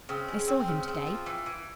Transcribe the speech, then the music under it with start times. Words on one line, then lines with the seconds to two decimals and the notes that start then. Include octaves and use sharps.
"I saw him to-day."
0.09 C#3 C4
0.28 G#3
0.48 C4
0.68 C#3
0.88 C4
1.07 F3
1.26 E3
1.46 E3